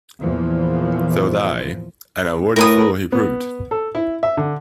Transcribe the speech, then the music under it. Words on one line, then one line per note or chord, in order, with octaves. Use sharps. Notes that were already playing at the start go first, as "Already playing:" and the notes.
Thought I, and a worthy fool he proved.
E2 A#2 E3 F3
A2 A#4 B4 D#6
B3
A4
E4
E5
D3